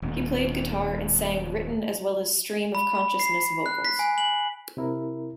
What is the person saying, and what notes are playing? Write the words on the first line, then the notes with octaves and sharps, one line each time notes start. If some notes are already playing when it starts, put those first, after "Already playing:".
He played guitar and sang written as well as stream of consciousness vocals.
D#1 B2
B5
B5
C7
F#6
B6
G#5
F#7
C3 E4 A#4